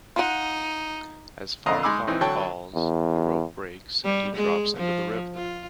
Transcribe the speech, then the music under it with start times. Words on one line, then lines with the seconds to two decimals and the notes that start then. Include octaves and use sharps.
As Farquhar falls, the rope breaks, and he drops into the river.
0.16 D#4 F4 F#5
1.66 F2 D3 D#5 F5 A#5 D#6
1.83 G#3 D#4 G#5 B5 D6 E6
2.07 E3 C4 D#4
2.21 D3 F#3 C#5 G5 A5
2.75 E2
4.04 G3
4.36 G#3
4.77 F3
5.35 F4